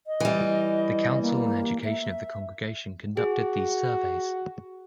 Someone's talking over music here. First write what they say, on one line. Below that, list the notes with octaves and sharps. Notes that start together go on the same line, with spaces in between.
The Council on Education of the Congregation conducted these surveys.
D#5
E3 G3
A#3
E5
F#4 G#4